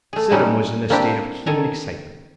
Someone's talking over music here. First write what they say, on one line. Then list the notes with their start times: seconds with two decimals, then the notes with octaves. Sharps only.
Sidham was in a state of keen excitement.
0.13 A3 G#4
0.31 F#3 G3 C#4 D#4
0.90 A#3 C4 D4 E4 G4
1.46 D#3 A4 G#5 A#5